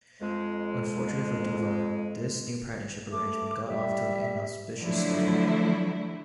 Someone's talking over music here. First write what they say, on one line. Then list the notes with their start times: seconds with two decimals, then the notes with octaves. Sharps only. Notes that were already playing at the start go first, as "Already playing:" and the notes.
Unfortunately for Duval, this new partnership arrangement got off to an inauspicious start.
0.21 F2 G#3
3.12 A3 D6
3.68 G3 E5
4.81 D3 F3 F#3 A3 E4